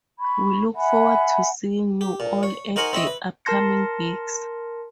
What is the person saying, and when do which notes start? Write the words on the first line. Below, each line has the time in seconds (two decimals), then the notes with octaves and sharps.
We look forward to seeing you all at the upcoming gigs.
0.19 B5 C#6 G#6
0.74 E5 F#5 G#5 B5
2.01 G4
2.20 A#2
2.43 C#5
2.76 D#4 F#4 A#4 C5 F#5 G#5
2.93 C4 E4 C#5 D#5 E5
3.07 B4
3.45 A#4 A5 C6 A#6 C#7